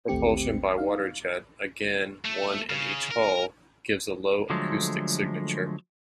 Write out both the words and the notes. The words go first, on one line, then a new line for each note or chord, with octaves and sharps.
Propulsion by water jet, again one in each hull, gives a low acoustic signature.
A1 D#2 A3 C4 G4 C#7
D#4 F5
A3
C#3
A#4
D3 F3 F#3 G#3 A3